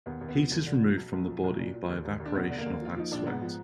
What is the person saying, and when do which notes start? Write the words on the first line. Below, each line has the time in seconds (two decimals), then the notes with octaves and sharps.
Heat is removed from the body by evaporation of that sweat.
0.06 D#2 B3
0.21 D#2
0.29 B3
0.36 F3
0.51 D#2
0.66 D3
0.82 F3
0.97 B1
1.13 B1
1.28 F3
1.44 B1
1.59 A#2
1.74 A#2
1.89 D#2
2.05 D#2
2.20 D#2
2.26 D4
2.35 F1 B3
2.50 D3
2.58 A#3
2.66 D#2
2.81 F3 F4
2.96 F3 D#4
3.11 A#1 D4
3.27 G#2 B3
3.42 F3